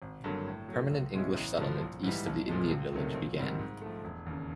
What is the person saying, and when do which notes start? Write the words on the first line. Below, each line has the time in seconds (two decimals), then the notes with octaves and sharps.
Permanent English settlement east of the Indian village began.
0.02 G#1
0.24 G2 D3 F#3 A#3
0.46 A2
0.69 F#3 A3
0.91 C#2
1.13 B2 G#3 C#4 E4
1.35 A1
1.58 G2 D3 F3
1.81 A#1
2.03 G#2 E3 G3
2.26 B1
2.47 A#2 F3 G#3
2.70 C#2
2.92 C3 D#3 F#3 A3
3.14 A#1
3.37 G#2 D#3 G3 C4
3.59 G#2
3.82 F3 A3
4.04 E1
4.26 D#2 C#3